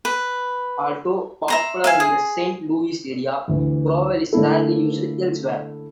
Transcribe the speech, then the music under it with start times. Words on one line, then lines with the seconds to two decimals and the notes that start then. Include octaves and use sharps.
Although popular in the Saint Louis area, Provel is rarely used elsewhere.
0.05 B4
1.48 E5 A#5 C6
1.84 E5 F5 G#5
2.00 G#4
3.48 D2 E3
4.33 D3 A3 A#3 E4 A4